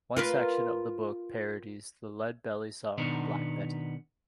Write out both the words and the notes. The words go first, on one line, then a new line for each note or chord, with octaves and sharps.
One section of the book parodies the Lead Belly song "Black Betty".
F4 A#4 B4
B2 D#3 B3 D4 D#4